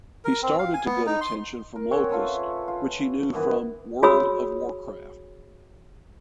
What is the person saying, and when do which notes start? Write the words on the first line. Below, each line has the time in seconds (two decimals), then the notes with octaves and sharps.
He started to get attention from Locust which he knew from "World of Warcraft".
0.25 A#4
0.43 C4
0.59 F5
0.74 G#5
0.86 B3
1.07 D#4
1.21 C6
1.76 A#4
1.91 C4 C#4 F#4 C#5
2.09 F4 A4 B4 E5
2.68 F4
3.33 G2 D#3 E3 B3
4.03 F#4 G#4 C#5 B5 D#6 E6